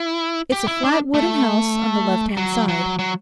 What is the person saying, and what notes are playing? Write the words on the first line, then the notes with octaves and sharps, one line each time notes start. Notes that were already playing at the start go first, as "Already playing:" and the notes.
'It's a flat wooden house, on the left-hand side.
Already playing: E4
G4
E4
D4
A3
F#3
F#3
F#3